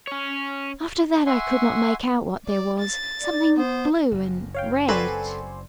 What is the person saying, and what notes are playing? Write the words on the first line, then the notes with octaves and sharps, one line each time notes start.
"After that, I could not make out what there was; something blue and red..."
C#4 C#5
E5 F#5 G#5 C6 C#6
D5
A6
D5
B3 C5
F#1 F#2
C#5 F5 G5
C4 F#4 A4 B4 D5 G#5 C6